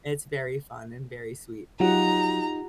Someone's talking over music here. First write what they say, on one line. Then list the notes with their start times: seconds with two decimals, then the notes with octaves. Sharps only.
It's very fun and very sweet.
1.80 F#3 D#4 F4 G4 F#5 A#5